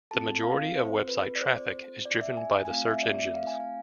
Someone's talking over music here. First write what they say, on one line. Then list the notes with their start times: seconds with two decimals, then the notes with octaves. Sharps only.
The majority of website traffic is driven by the search engines.
0.11 C4 F4 A4 A5
0.43 F5
0.76 C5
1.08 B4
1.36 D5
1.41 C5
2.05 D5
2.21 E5
2.37 G#5
2.54 G#5
2.65 G#5
2.70 A3 C4 F4 F5
2.86 E5
3.03 D5
3.18 E5
3.35 F5
3.47 G#5
3.60 F5